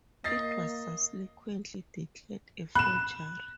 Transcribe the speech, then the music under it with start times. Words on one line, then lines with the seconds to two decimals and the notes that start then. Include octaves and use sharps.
It was subsequently declared a forgery.
0.24 A#3 D#5 A6 C7
2.75 B5 F#6 E7